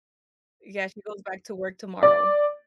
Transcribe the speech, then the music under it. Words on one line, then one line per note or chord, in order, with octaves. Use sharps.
Yeah, she goes back to work tomorrow.
D5